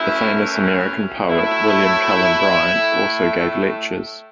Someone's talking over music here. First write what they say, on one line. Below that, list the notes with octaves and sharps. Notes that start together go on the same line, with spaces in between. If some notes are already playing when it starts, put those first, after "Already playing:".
The famous American poet William Cullen Bryant also gave lectures.
Already playing: F#2 E3 A3 E4
C#4
A2 F#3 A3 E4
A2 A3